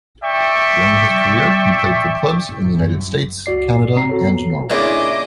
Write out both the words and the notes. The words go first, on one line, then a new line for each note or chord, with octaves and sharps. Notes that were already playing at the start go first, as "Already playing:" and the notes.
During his career, he played for clubs in the United States, Canada, and Norway.
D5 E5 G5 C#6
A1
F#2
C#2 F#4 D5 C7
G#2
C3 C4 A#5 C7
F#4 A4 C#5
B3
A#2 C#3 D4 E4 G#4 D#5 D6